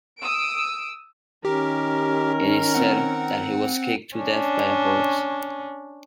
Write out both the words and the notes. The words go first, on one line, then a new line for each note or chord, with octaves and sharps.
It is said that he was kicked to death by a horse.
D#6 E6 D7
D#3 C#4 G4 A#4
C4 F#5
C#4 D4